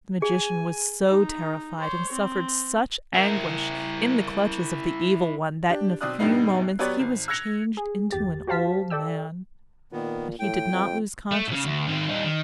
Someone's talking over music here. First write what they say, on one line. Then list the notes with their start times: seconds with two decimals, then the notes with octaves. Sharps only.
The magician was so terrified and suffered such anguish in the clutches of the Evil One that in a few moments he was changed into an old man, but he did not lose consciousness.
0.22 G#4 G#5
1.08 D#4
1.80 C5 C#5
2.13 C4
3.14 E4 A#4
5.69 D4 G4
6.01 B1 C4 D5 D#6 F#6
6.19 A#1 G2 G3 B3 D#4 C7
6.79 F#3 B3 G4 B4 C#5 D5
6.99 G#1
7.28 E6 F#6 G#6 A#6 C#7 F7
7.77 G#4
8.11 G1 E2 G4 A6
8.47 F#4 G4 C5 F5 A5 B6
8.90 A4 D5 G5 E6
9.92 A#2 D#3 B3
10.39 A2 G5
10.72 F2
11.31 A3
11.48 A2 C#3
11.64 D2
11.87 D#3 C4
12.09 G3 D#4
12.24 D#3